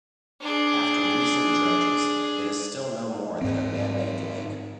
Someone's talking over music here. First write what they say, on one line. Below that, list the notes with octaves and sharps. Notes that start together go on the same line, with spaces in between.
After recent dredges, it is still no more than a man-made lake.
D4 G#4
G#2 C4